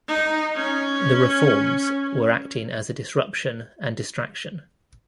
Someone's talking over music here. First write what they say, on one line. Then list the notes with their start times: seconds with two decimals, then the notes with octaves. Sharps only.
The reforms were acting as a "disruption and distraction".
0.08 D#4
0.56 C#4